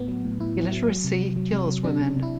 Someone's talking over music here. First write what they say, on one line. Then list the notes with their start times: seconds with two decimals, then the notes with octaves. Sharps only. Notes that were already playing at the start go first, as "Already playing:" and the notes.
Illiteracy kills women.
Already playing: A2 B3
0.08 F#3
0.25 A2
0.40 A2 E4
0.56 F#3
0.72 F#3
0.88 F#3
1.04 C3
1.20 F#3
1.36 F#3
1.52 C3
1.68 F#3
1.84 C3 D4
2.01 C3
2.16 C3
2.23 E4